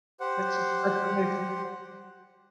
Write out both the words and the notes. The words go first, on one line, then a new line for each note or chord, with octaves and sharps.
Such a such a nice
G4 C5 F#5